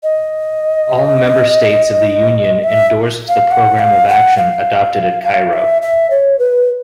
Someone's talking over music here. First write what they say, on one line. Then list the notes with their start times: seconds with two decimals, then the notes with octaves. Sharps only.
All Member States of the Union endorsed the Programme of Action adopted at Cairo.
0.03 D#5
2.64 E5
3.28 F5
3.51 F#5
3.79 F5
4.09 F#5
4.37 F5
5.23 F5
5.53 E5
5.82 E5
6.10 C#5
6.39 B4